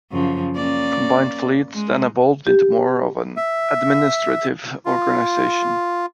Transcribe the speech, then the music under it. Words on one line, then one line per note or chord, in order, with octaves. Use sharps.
Combined Fleet then evolved into more of an administrative organization.
F#2 C#3 F3
A#3 C#4 D5
G#3
G4
E5
F4